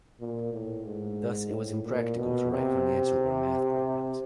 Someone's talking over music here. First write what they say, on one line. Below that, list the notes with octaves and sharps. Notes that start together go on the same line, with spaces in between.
Thus, it was impractical to write financial or math programs.
A#2
A2
G#2
A2
A#2
B2
C3